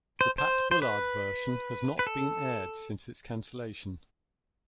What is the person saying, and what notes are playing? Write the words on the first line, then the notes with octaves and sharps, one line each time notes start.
The Pat Bullard version has not been aired since its cancellation.
C5
C5
C5
B4
B4
A4